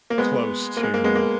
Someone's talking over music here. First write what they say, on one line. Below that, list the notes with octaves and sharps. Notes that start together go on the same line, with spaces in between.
close to,
A#3
G#3 B3
A#3
G#3
A#3
G#3 B3
A#3